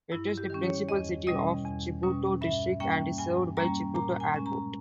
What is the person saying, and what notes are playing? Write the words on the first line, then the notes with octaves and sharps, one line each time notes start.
It is the principal city of Chibuto District and is served by Chibuto Airport.
G2 E4
G4
D#3 G3 C#4
C#5
E2 D#5
B2 G3 C#4 D#5
E2
B2 G3 C#4
G2 E5
G3 A#3 C#4 G5
G2 G#5
G3 A#3 C#4 A#5
A#2 A#5
G#5
G#3 C#4
A#5